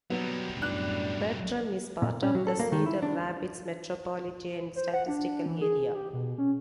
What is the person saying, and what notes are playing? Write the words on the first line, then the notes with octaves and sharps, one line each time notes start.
Bertram is part of the Cedar Rapids Metropolitan Statistical Area.
B2 F#3 G3 B3
F#2 A2 D4 F#6
A#2
C#4
F#3
A4
A#3
D#3
E4
D4
C5
F#5
D4
E3
G#4
G4
B2
C#4